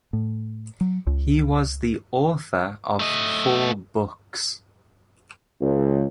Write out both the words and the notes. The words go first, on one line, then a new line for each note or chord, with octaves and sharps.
He was the author of four books.
A2
F#3
C#2
A3 D#5
C#2